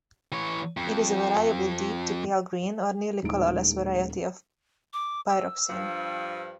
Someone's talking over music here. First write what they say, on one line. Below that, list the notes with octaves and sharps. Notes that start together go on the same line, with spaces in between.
It is a variably deep to pale green or nearly colorless variety of pyroxene.
E3 C#5
F2
D#1 A1 G#3 D#4 D7
D6
E6
G2 F3